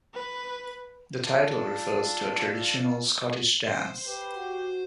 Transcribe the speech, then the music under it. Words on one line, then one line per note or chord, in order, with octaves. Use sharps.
The title refers to a traditional Scottish dance.
B4
D4 F4 A4
C5 C6
G4 B4
F#4